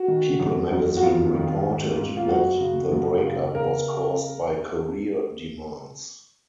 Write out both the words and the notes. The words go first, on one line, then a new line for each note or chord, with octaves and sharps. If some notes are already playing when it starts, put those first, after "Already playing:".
"People" magazine reported that the breakup was caused by career demands.
Already playing: F#4
D#3
F#2
F#2
F#4
F2 F4
D#3
G#2
G#2
F4
F#2 F#4
C#3
F#2
C#3
C#3 A#4